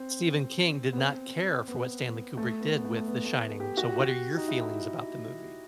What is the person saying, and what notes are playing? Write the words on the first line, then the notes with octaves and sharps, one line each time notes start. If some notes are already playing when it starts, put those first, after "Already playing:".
Stephen King did not care for what Stanley Kubrick did with The Shining, so, what are your feelings about the movie?
Already playing: C4
B3
C4
B3
A3
B3
B3
A3
A3
B3
A3
G4
F#4
G4
F#4
D#4
E4